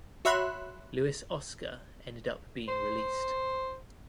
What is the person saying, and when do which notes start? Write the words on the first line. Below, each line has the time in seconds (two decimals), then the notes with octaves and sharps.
Luis Oscar ended up being released.
0.25 F#4 C#5 E5 B5 C6 F#6
2.68 C5